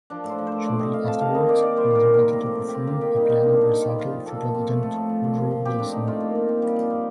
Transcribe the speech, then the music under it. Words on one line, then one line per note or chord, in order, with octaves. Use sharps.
Shortly afterwards, he was invited to perform a piano recital for President Woodrow Wilson.
F3 D4
A2
C5
F3
A2 C5
A3 D5
C4 D#5
C3 F5
C3 A5
D#3 F5
D#3 D#5
A#3 D5
D#3 D5
G3 C5
A#3 A#4
C3
A#4
C3
A2 A#4
F3
C4
G4
C4
A#3 F4
D#3 G4
G3 D#4
D#3 D#4
D3 D4
C4 D#4
C4
G3 F4
F3 F4
F3
A#2 A4
A#2
C4
A3
A3
A2
F3
A#2
F3
F3
C4 G4
A2 D4
A2 D#4
A3 F4
A#2
A#2
C4
G3
F3
C4